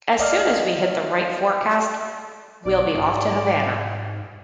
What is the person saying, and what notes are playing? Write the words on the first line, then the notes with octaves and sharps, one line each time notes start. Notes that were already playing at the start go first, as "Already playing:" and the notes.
As soon as we hit the right forecast, we'll be off to Havana.
D5 D#5 F5 F6
B1 D5
G#2